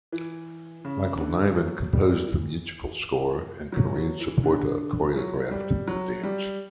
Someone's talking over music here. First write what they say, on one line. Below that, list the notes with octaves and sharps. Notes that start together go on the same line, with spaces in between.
Michael Nyman composed the musical score and Karine Saporta choreographed the dance.
E3
C#3
D3
F#3
G3
E3
F#3
F#3
E3
D3
F#3
G3
F#3
G3